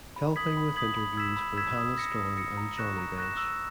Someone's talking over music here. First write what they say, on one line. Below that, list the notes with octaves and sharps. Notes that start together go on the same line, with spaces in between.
Helping with interviews were Hannah Storm and Johnny Bench.
B5
D#6 G#6 B6 F#7
B5
D#6 G#6 B6 F#7
B5
E6 G#6 B6 E7
B5
E6 G#6 B6 E7
D#6
A#6 C#7
D#6
A#6 C#7
A#5
C#6 F#6 A#6 E7
A#5
C#6 F#6 A#6 E7
E6